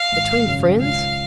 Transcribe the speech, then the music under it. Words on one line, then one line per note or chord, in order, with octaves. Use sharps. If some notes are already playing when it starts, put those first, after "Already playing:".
Between friends?
Already playing: F5
G#1
F#2 C#3 F#3
C#2 F5